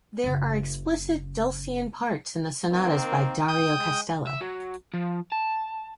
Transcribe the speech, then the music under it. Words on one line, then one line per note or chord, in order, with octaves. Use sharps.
There are explicit dulcian parts in the sonatas by Dario Castello.
F#1 C#3
D#3 A#3 C4
G5 D#6
G#3
E5
F#3
F3
A5